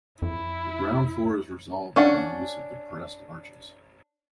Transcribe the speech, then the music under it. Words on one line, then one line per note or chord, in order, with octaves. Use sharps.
The ground floor is resolved by the use of depressed arches.
F2 E4
C#4 D4 F#5